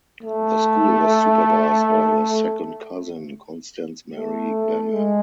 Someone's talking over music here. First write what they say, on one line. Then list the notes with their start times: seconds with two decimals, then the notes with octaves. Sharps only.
The school was supervised by her second cousin Constance Mary Benham.
0.23 A3
4.14 A3
4.92 G#3